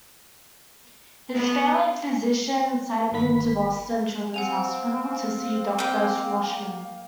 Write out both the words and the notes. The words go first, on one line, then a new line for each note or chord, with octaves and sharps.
His family physician sent him to Boston Children's Hospital to see a Doctor Shwachman.
B3
G1 G2 D#3 A#3 B5 B6
C4 F5 F#5 G#5 F7
A#3 G5